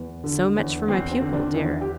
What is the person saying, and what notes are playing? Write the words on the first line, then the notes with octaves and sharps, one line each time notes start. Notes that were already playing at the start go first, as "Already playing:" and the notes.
So much for my pupil, dear!
Already playing: E2 B3
D3
E2
E2 C4
C4
D3
D4
E2 E4
G4